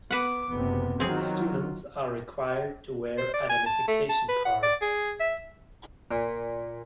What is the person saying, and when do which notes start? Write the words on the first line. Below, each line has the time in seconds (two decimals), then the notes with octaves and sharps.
Students are required to wear identification cards.
0.11 B3 B4 F#5 D6
0.49 F#1 C3 B3
1.00 D#3 F#3 C4 F4 G#4
3.18 C5
3.34 D5
3.50 G#5
3.66 A5
3.87 A3
4.09 A5
4.28 B4
4.45 F#5
4.63 D5
4.81 G#4
5.20 E5
6.11 A#2